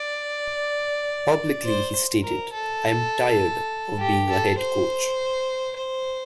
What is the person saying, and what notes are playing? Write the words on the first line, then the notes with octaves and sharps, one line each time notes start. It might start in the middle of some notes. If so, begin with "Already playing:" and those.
Publicly he stated, I'm tired of being a head coach.
Already playing: D5
C5
A#4
A4
G4
A4
C5
C5